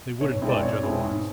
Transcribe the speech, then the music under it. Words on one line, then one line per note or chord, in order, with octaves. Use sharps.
They wouldn't budge otherwise.
B1 C#5
B2 G#3 C4 E4
D5
B1 C#5
B2 G#3 C4 E4
G#2